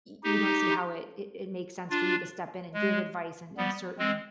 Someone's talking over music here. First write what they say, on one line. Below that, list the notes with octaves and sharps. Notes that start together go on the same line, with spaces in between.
y you don't see how it it it makes sense for you to step in and give advice in in certain
D#4 G4
D4 F4
G#3
G3 B3
G#3 C4